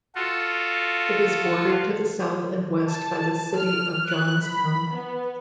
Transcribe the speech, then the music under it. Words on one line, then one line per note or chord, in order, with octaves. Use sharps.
It is bordered to the south and west by the city of Johnstown.
F4 F#4 A4
A5
F6
F#6
B5
B3